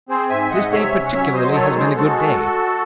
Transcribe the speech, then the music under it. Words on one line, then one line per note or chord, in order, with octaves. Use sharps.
This day particularly has been a good day.
C4 G#4 C5
G#2 E5 G#5
E5
G#2 D#5 F#5
C3 C#5 E5
C#4
F#5
F#3 C#5 E5
F#3 C5 D#5
D#5
D#3 A4 C#5
G#3 G#4 C5
G#3 F#4 A4